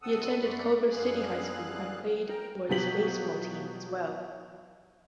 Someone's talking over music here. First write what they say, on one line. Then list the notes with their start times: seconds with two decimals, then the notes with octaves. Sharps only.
He attended Culver City High School and played for its baseball team as well.
0.02 C3 C4 A4 F#5 D#6 E6
0.41 F#2 A3 D5 F#5 B5 C6
0.91 F#2 D3 G3 G#4 F5 F#6
2.28 A#4 G5 A#5
2.69 B2 F3 F#3 G4 B6 F#7